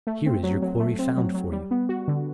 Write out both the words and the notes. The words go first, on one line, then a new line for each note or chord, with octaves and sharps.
Here is your quarry found for you.
A3
C4
F#3
F#3
A3
C4
F#3
F#3
G3
B3
F#4
D3